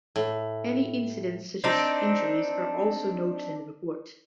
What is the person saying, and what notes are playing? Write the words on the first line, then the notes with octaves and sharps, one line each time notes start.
Any incidents such as injuries are also noted in the report.
A2
C4 D4 D#4